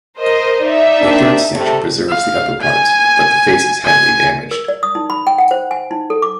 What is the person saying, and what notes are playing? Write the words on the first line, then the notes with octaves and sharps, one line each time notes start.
A third statue preserves the upper part but the face is heavily damaged.
A#4 C5 D#5
D#4 D5 E5
A#3 C4 D4
C3 G3 A3
F5
G#5
G#5
A#4
D5
D#6
D#4
B5
G5
F#5
C5
G#5
D#4
A4
D6